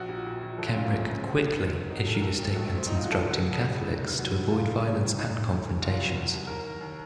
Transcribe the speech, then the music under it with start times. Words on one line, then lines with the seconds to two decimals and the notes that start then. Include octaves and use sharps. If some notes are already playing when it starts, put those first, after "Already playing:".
Kenrick quickly issued a statement instructing Catholics to avoid violence and confrontations.
Already playing: A#1 F#4
0.09 A#2
0.26 A#2
0.43 A#1
0.58 F2 A4
0.67 F4
0.75 F#3 C#4
0.83 A#3
0.91 F#1 A3
1.08 C#3
1.24 F#1 C4
1.41 F#1
1.57 D#3
1.73 F#3
1.90 A1 D#4
1.97 F#4
2.06 F#3 A4
2.14 A#4
2.22 A1 A4
2.39 A1
2.51 A4
2.54 A#1 F#4
2.65 A3
2.71 F#3 C4
2.87 A#2 D#4
2.97 F4
3.04 F#3 F#4
3.12 A4
3.20 C#3 F#4
3.31 F#4
3.37 F#3
3.53 C#3 A4
3.70 C#2
3.86 D#3
4.02 C3
4.19 F#3 F#4
4.36 D#3
4.51 F1 F4
4.68 F1
4.84 C#3
5.01 F2
5.16 D#2 D#4
5.33 D#2
5.49 D#2
5.67 C#3
5.82 C2 F4
5.99 F#3
6.15 C2
6.32 C2
6.47 D#2 A#4
6.65 D#2
6.81 D#2